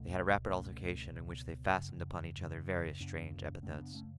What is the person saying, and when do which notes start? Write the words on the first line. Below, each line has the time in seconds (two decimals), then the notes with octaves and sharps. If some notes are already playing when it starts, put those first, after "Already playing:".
They had a rapid altercation, in which they fastened upon each other various strange epithets.
Already playing: C#2 B2 A3 C#4
0.48 C#2 B2 A3 C#4
1.12 C#2 B2
1.74 F#2 C#3
2.37 F#2 C#3
3.00 F#2 C#3 B3 D4
3.62 F#2 C#3 A3 C#4
3.78 B3 D4
3.94 A3 C#4